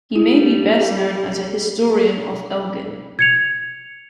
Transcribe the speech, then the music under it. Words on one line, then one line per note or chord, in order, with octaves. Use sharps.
He may be best known as a historian of Elgin.
G3 E4
G#6 C#7 F7